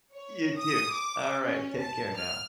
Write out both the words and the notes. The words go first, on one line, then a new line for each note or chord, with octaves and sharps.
you too, alright, take care now.
C#5
D#6
D6
C#4
A5
F6